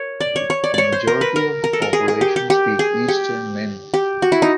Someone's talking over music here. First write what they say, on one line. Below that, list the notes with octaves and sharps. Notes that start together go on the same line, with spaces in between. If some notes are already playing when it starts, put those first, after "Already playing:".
A majority of the population speak Eastern Min.
Already playing: A#4 C#5
D5
C#5
C#5
D5
C#5 D5
C5
A#4
B4
A#4
A#4
A4
A#4
G#4
G#4
G4
G4
G4
G#4
G4
G4
F#4
E4
D#4